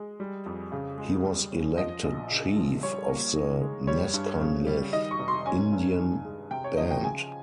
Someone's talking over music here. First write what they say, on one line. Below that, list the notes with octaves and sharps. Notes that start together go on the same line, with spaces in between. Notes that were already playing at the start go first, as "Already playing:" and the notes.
He was elected chief of the Neskonlith Indian Band.
Already playing: G#3
G3
F2
C#3
G#3
G3
C#4
F3 D#5
A#1
C#3
F3
G3 C#5
A#3
D#3
G#3
G3 C#5
G2
C#3
G3
D#3 D#5
C#6
F1
C6
C#4 G#5
G2
D#3
G#3
C3 G5
C#5
F3 D#5
G5
C#3 G#5